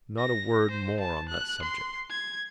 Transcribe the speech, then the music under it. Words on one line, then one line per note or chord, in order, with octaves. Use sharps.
Not a word more on that subject!
A#6
C5
A5
F#6
C6
G#6